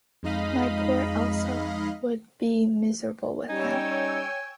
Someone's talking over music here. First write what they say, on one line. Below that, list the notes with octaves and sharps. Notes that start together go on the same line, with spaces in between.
My poor Elsa would be miserable with him.
F2 G#3 D#4 D#5 F5 B5
G3 C#4 D#4 C#5 G5 G#5 E6